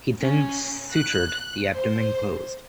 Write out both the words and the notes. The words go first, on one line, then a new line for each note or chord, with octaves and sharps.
He then sutured the abdomen closed.
C#4
F#6
C5